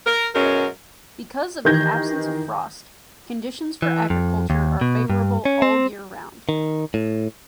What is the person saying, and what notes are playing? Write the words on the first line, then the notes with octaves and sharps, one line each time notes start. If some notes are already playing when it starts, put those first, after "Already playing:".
Because of the absence of frost, conditions for agriculture are favourable all year round.
A#4
F#2 B2 F#3 G#3 C#4 A#4
D#3 E3 G4 G6 G#6 A#6
E3
F2
D#2
B2
G2
C#4
C4
D#3
A2